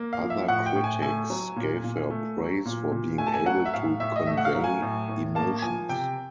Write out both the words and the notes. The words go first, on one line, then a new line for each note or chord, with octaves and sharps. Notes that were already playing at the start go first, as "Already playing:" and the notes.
Other critics gave her praise for being able to convey emotions.
Already playing: A#3
F5
F3
E5
A2 F#5
G5
A2
G#5
A3 G#5
F#3
A#2
A#2
A3
F#3
A#2
A#2
A3 G#5
A5
G#5
F#3 F#5
E5
A2 F5
A2 E5
D#5
A3 E5
F#5
F5
F#3
G#5
A2
A2
A#3 A5
F3 G#5
C3 G5